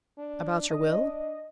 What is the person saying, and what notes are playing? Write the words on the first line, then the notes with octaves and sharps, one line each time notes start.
"About your will?"
D4
D4 D#5